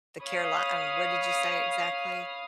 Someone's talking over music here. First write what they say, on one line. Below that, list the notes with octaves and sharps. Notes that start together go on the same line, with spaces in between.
the Caroli Um, where did you say exactly?
C#5 F5 B5 D#6